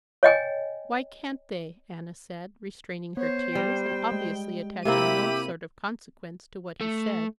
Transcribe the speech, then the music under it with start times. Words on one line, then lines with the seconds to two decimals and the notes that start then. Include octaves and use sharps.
"Why can't they?" Anna said, restraining her tears, and obviously attaching no sort of consequence to what he said.
0.23 C#5 D#5 G5 G#5
3.17 B3 C5 C#5
3.55 G3 G5
4.12 G#3
4.85 C3 A#3 C4 E4 G4 B5 D6 D#7
6.81 A3